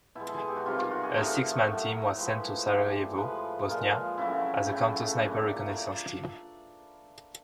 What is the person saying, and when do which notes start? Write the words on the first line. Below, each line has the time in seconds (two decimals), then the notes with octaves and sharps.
A six-man team was sent to Sarajevo, Bosnia as a counter-sniper reconnaissance team.
0.15 B2 G#3 E4
0.29 A4
0.38 G#4
0.48 G4
0.56 F#4
0.66 C3 D#3 G3 F4
0.79 F4
0.91 F#4
1.03 G#4
1.17 A2 F3 A3 A#4
1.66 A2 F#3 A3
2.16 A2 F3 G#3 B4
2.67 A2 E3 G3 C5
3.17 A2 F3 G#3 B4
3.68 A#2 F3 G#3 A#4
4.18 C#3 F#3 A3 E4
4.68 A2 F#3 A3 E4
5.18 A#2 F#3 A3 D4